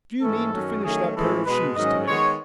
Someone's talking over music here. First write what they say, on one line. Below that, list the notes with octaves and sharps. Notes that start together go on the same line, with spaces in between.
"Do you mean to finish that pair of shoes to-day?"
G#2 E3 A3 C#4 A4
F#2 D#3 F#3 C#4
D#3 F#3 A3 C#4 G#4
A2 E3 G#3 C#4 A4
B2 G#3 B3 B4
G#2 D#3 F#3 C#4 D#5
D#3 G#3 B3 C#5